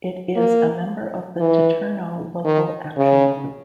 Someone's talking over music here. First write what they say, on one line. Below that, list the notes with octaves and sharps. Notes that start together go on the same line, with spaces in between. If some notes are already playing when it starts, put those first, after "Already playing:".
It is a member of the Titerno Local Action Group.
A#3
E3
D#3
C#3